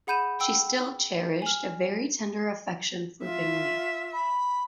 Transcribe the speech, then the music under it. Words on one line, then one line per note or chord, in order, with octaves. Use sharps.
She still cherished a very tender affection for Bingley.
G#4 F#5 B5 G6 D#7 E7
G5 E6
G#5 F6
F4 E5
B5